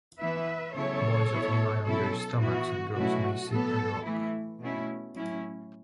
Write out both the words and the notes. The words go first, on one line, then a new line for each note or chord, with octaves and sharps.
Boys often lie on their stomachs and girls may sit and rock.
E3 B3 E4 B4 E5
C#3 F#3 B3 E4 A4 C#5
B2 B3 E4
B2 F#3 C#4 E4 A4
E3 B3 E4 F#4
B2 F#3 A3 C#4 E4 F#4
A2 F#3 B3 A4
E3 A3 E4
B2 A3 C#4 E4
A2 F#3 C#4 E4